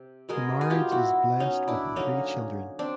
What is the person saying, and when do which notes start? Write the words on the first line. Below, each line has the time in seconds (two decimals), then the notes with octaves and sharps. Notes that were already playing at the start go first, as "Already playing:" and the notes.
The marriage is blessed with three children.
Already playing: C3
0.29 B2 G#3 B3 G#4 A#4
0.61 G#4
0.70 F4 G4
0.92 E4 F#4
1.40 C#4 D#4
1.68 D4 E4
1.96 D3 F#3 A#3 C#4 D#4
2.79 C4 D4